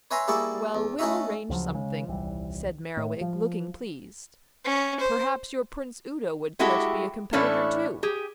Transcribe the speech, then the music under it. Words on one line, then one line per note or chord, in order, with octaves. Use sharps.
"Well, we'll arrange something," said Merriwig, looking pleased. "Perhaps your Prince Udo would care to be a competitor too."
B4 C#5 E5 G#5 A#5 C6
G3 A#3 E4 G#4 A4 C#6
E2
A3 C#4 D#4 F#4 E5
D2 C#3 F3 F#3
C#3 G#3
D#1 C2 E3 G3
A2
F3
C#4
C5
G#3 E4 F#4 G4 A4
A2 E3 C#4 D4 E4 A4
G4 G#4